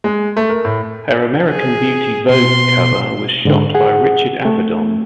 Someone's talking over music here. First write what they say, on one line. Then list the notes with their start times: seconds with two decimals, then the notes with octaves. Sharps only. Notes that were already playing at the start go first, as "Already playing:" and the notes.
Her American Beauty "Vogue" cover was shot by Richard Avedon.
0.04 G#3
0.37 A3
0.49 A#4
0.65 A2
1.49 G#4
2.30 B2 C6
3.45 G#2 D3
3.75 G#4 F#5
4.45 A3